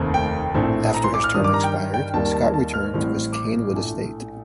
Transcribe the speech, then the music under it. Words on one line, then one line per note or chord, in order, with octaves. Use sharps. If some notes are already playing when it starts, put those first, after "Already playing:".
After his term expired, Scott returned to his Canewood estate.
Already playing: F1 D#2 D#3 A3 C4
G5
A#1 A2 A3 C4
A#5
C6
D6
F6
G2 D#3 G3 D#6
D6
A#5
G5
G5
D#2 D#3 G3 A#3 A5
A5
A5
F6
A1 A2 G3 C4
D6
A#1 A2 A3